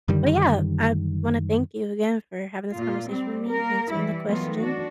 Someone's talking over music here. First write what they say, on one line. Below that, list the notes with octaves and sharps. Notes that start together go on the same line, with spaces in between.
but yeah, I wanna thank you again for having this conversation with me, answering the question.
F#2 D3 D#3 G3
A#2 F4
G3 C4
A#3 A#4
E3 G3 E4
D#3 E3 F#3 A3 B3 F4
D4 F#4